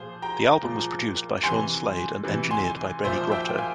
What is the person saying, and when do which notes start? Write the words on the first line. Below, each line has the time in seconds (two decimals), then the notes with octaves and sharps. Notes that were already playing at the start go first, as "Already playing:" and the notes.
The album was produced by Sean Slade and engineered by Benny Grotto.
Already playing: A#2 F3 G#4 C5
0.22 G5 A#5
0.63 A#2 F3
1.43 C3 E3 G#5 C6
2.24 C3 E3
2.51 G#5 C6
3.04 A#2 F3 C5 E5
3.31 E5 G5
3.49 G5
3.58 F5 G#5